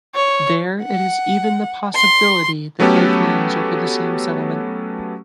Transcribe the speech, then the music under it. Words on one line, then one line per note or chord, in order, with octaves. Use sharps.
There it is even the possibility that both names are for the same settlement.
C#5
F#5
C6
F#3 A3 B3 C#4 G4 A4